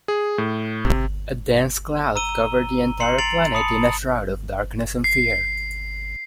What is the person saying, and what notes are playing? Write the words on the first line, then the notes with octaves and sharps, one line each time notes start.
A dense cloud covered the entire planet in a shroud of darkness and fear.
G#4
A2
C3
A#5 E6 D#7 G7
A#5 C6 C7 C#7 F#7
A6 C7 D7 F7 F#7
A5 B5 D#6 C#7
C7